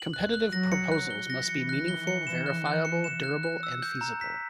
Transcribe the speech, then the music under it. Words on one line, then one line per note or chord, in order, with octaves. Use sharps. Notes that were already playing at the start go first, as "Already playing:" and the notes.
Competitive proposals must be meaningful, verifiable, durable and feasible.
Already playing: F#7
F#6
F#6
F#3 A#6
C#7
F#6
G7
E3 A#6
C#7
F#6
G7
C#7
E7
F#6
F#6
C#7
E7
F#6
F#6
E6
G6
A#5
B6